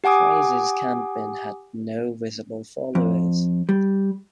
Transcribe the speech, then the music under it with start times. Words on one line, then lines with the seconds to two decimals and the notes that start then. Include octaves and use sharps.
Fraser's campaign had no visible followers.
0.04 G4 F#5 G#5 D6 D#6
2.95 F2
3.69 G3